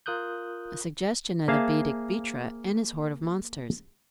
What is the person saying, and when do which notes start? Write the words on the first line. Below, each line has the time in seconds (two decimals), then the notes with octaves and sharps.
A suggestion of the Vedic Vritra and his horde of monsters.
0.06 F4 A#4 D#6 F#6 G6
1.48 A#3 G#4 C5 E5 F5 A5